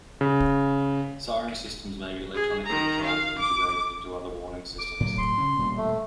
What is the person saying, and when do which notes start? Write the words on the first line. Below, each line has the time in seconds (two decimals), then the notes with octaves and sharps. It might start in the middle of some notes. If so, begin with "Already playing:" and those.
Siren systems may be electronically controlled and integrated into other warning systems.
0.21 C#3
2.34 G#4
2.65 D#3 A#5
3.04 F5
3.38 D6
4.79 D6
5.00 A2 F#3
5.18 C6
5.38 C#3 C#4
5.59 E1 A#2 G3
5.78 A3